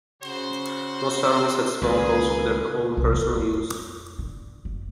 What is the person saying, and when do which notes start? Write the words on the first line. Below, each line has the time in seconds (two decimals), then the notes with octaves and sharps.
Most families had small boats for their own personal use.
0.22 C#3 F#4 C5
1.82 C#2 D#3 A#3 G#4 B4
2.97 C2
3.13 D#3
3.36 F2
4.19 D3
4.65 F#1